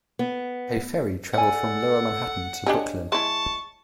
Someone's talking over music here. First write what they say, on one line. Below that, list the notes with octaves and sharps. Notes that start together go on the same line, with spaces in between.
A ferry traveled from Lower Manhattan to Brooklyn.
B3
A4 D5 F#5 G#5
D4 G4 G#4 C#5 D#5
G#3 E4 A5 C#6